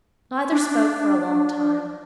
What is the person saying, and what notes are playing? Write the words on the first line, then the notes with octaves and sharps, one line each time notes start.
Neither spoke for a long time.
D4